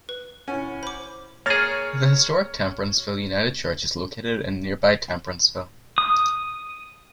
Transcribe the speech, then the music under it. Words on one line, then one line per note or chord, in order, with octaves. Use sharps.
The historic Temperanceville United Church is located in nearby Temperanceville.
B4
C#4 E4 F#5
C5 B5 D6
A#3 G#4 C#5 F6 A6
D#6